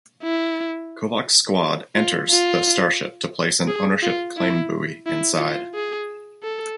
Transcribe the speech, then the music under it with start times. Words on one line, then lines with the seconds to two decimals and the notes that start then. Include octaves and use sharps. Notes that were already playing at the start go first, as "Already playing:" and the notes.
Kovacs' squad enters the starship to place an ownership claim buoy inside.
0.23 E4
1.95 F4
2.31 F4
3.68 G#4
4.03 F4
4.37 E4
5.06 E4
5.40 F4
5.75 G#4
6.43 A4